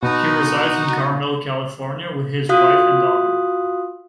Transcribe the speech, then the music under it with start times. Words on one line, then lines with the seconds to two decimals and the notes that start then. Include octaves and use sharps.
He resides in Carmel, California, with his wife and daughter.
0.03 B2 D#4 F#4
2.49 F4 F#4 F5 D#6 F#6